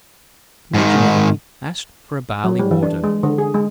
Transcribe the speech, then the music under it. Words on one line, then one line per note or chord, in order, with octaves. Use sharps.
Major Moody asked for barley-water.
G#2 D#3
F#3
G3
E3
D4
G#3
D3
G#4
G#3